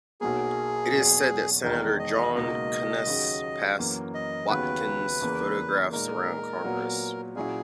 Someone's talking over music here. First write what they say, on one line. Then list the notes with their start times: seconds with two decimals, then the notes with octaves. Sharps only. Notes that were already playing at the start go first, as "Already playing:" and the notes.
It is said that Senator John Conness passed Watkins' photographs around Congress.
0.21 B1 B2 F#3 A#3 G#4
0.92 F#1 E2 B2 F#3
1.64 E1 E2 D#3 G#3 A#4
1.99 D#5
2.35 C#2 B2 A#3 D#4 D#5
3.07 D#2 C#3 F#3
3.79 F#2 E3 A#3
4.14 D#5
4.49 D#2 C#3 F#3 B3 B4
5.21 E2 C#3 E3 A#3
5.93 A#2 G#3 D#4 A#4
6.64 A#2 F#3 B3
7.36 A#2 F#3 C#4 E4 G#4